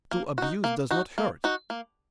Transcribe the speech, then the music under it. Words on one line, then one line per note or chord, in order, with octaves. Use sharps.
To abuse does not hurt.
A#3
D#4 F#4
A#3
D#4 F#4
A#3
D#4 F#4
A#3